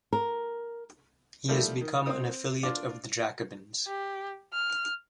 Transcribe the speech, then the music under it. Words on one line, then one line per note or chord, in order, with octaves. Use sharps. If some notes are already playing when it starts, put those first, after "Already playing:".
He is become an affiliate of the Jacobins.
A#4
D#3 F3 G3 A3
D#3
C4 D#6
D4 F4 D5
G4
F6